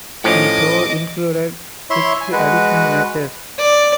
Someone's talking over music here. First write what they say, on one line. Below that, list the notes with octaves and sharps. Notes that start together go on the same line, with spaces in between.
The show included six additional matches.
A2 F3 C#4 D#5 D6
E4 C#5 E5 C6
G#5
G#3 F#4 B4
D5